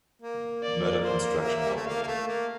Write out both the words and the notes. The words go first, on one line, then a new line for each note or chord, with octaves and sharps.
Murdock Construction Company.
A#3
D5
C5
E5
G3
A3
A#3 F5
A#3
A3
A#3 F5